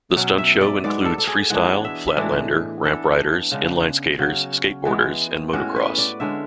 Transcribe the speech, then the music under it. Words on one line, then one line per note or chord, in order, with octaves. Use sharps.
The stunt show includes freestyle, flatlander, ramp riders, inline skaters, skateboarders and Motocross.
B2 F#3 C#4
E5
D5
G#2 G#3 B3 D5
A4
A4
G#4
E3 G#3 B3 D4 F#5
E5
E5
A2 E3 G#3 D4 D5
E3 B3 D4 A4
C#3 G#3 B3 D4
C#3 F#3 C#4 F#4
E3 G#3 B3
A2 G#3 C#4 F#4
B4
D5
D3 G#3 C#4 E5